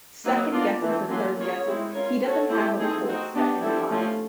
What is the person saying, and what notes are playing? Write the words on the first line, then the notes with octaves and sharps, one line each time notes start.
second-guesses and third-guesses. He doesn't have a goal set in mind,
F#3 A#3 D#4 F#4 B4
B3 D4 F4 A#4 D5
E3 A3 C4
F#3 A#3 C#4 F4
A#3 C#4 F4 G#4 C#5
G#3 C4 E4
C#4 F4 A#4 C#5
C#4 F#4 A4 C#5
A3 C4 E4 G4
A3 C4 D#4 G#4
C4 D#4 F#4
B3 D4 G4
G3 C4 E4 A4
F3 A3 C#4 F4